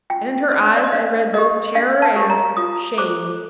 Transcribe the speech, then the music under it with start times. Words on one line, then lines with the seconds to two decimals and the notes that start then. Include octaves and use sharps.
And in her eyes I read both terror and--shame.
0.10 F4 G5
0.51 A4 C5
0.77 D5
0.84 D#5
0.92 D4 F5
1.33 G4 A#4 D#5
1.75 D4 F5
2.02 A5
2.16 G4 A#4
2.30 A#5
2.57 F4 D#6
2.98 A4 C5 D6